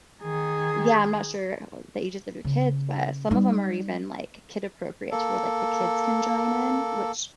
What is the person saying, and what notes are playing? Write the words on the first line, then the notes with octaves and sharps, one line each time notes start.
yeah, I'm not sure about the ages of your kids, but some of them are even, like, kid appropriate to where, like, the kids can join in, which
D#3 G#4
C#3
G3 D#4
A#3 A4